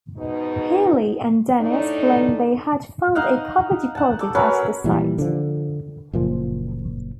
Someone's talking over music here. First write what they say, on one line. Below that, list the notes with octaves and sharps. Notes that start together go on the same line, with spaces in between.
Healy and Dennis claimed they had found a copper deposit at the site.
G#2 B2 D#4
A2 A3 D4 D#4
D#4 D#5 F5 F#5
F#5 A5
A4 D6
F#3 C#4 A#4 B4
A#2 E3 G3
D3 F3
F#1 A#2 F3